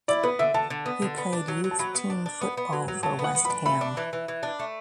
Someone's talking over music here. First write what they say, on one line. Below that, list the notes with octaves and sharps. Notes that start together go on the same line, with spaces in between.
He played youth team football for West Ham.
E4 D5
B3 B4
D3 E5
D3 A5
D3
B3
D3
B3
D4
F#3
F#3
A5
F#3 B5
B3
D4
D4
B3
B3
F#3
F#3
F#3 A5
B3
F#5
B3
B5
D4
A3 B5
D4
E3
E3
E3
D4
A3